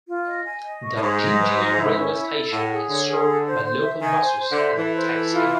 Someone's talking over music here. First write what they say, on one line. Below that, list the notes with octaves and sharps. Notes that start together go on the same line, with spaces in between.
The Jinjiang Railway Station is served by local buses and taxi.
F4
D#5
G#5
D#5
C#6
A2
G#2 G#4
D#5
B4
D#5
E4
C#4
E4
A4
A2 F#5
G#4
D3 C#5
G#4
A4
C5
C5
E5
D#3 G#5
C5
C5
D3
E5
E3 A4
C5
A4
F4